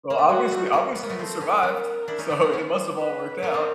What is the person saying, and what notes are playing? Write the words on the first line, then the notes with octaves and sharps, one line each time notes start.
Well, obviously obviously, you survived, so, it must have all worked out.
A#3
A3
G#3 F#4
G3 A3
B3
G#3 A#3
B3
A#3
A3 B3
A#3 C4 A4
B3 C#4
B3 C#4 A#4
D4 E4
C#4 D#4
A3 B3
A#3 C4
B3 C#4 C5
B4
B3 C#4 A#4
C4 D4